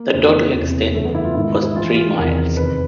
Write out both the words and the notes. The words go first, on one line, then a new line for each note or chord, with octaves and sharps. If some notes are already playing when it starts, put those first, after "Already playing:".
The total extent was three miles.
Already playing: A#3
F2 C#3 E3
E2 C3 E3
F#2 C#3 E3 A3
B3
E4
F4
G#2 D#3 E4
E4
A2 E3 F4
F4
E2 C3 D#3 A#4
F2 C3 D#3 B4